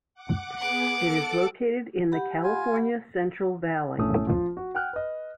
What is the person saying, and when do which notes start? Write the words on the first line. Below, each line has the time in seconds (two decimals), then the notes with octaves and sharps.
It is located in the California Central Valley.
0.14 F#5 D6
0.58 B3 G#4 F#5 D6
0.93 A4
2.12 G4 F#5 B5
2.43 F4 G#5
2.75 G4 F#5 B5
3.98 E1 A#1 A2 A3 C#4 D#6
4.27 F3 F4
4.57 F#4
4.75 F#5 G5 F6 F#6
4.93 B4 D#5